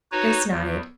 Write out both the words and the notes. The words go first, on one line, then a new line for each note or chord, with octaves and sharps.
Grace nodded.
D#4 F#4 B4 C#5
E2